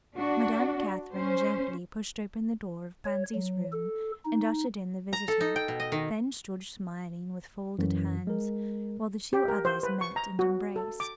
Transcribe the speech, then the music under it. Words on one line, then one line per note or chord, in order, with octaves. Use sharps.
Madame Catherine gently pushed open the door of Pansy's room and ushered in the visitor; then stood smiling with folded hands while the two others met and embraced.
D4 F#4
C#4 C5
C#5
F#3
A4
D#4
A#5
A4
D#4
G5
B2
D#5
D#3
F#2 E3
G#3 A#4
G4
A#4
C5
B4
C#6
A#5
F#4
A4
D6